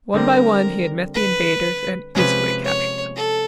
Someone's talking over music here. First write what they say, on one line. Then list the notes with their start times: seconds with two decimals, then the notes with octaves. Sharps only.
One by one he had met the invaders and easily captured them.
0.14 D3 G3 C4 A#4
1.15 B4
2.15 C3 F3 G#3 C#4 B4
2.65 C#5
3.16 A4